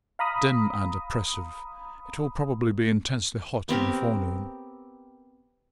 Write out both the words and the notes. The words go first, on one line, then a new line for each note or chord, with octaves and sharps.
'Dim and oppressive; it will probably be intensely hot in the forenoon.'
F5 A#5 B5 D#6
B3 C4 G4 A#4